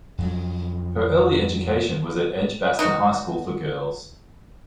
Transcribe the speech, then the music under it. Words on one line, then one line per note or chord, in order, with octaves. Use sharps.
Her early education was at Edgbaston High School for Girls.
F2 F#3
D#4 F#4